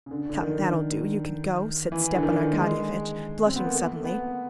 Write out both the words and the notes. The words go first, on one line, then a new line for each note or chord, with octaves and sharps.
"Come, that'll do, you can go," said Stepan Arkadyevitch, blushing suddenly.
C#3
D3
D3
D#3
E3
D3
D#3
G#3
C4
B3
A#3
A3
B3